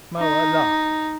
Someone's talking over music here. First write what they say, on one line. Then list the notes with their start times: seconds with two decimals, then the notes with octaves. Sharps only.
Moa laughed.
0.17 D#4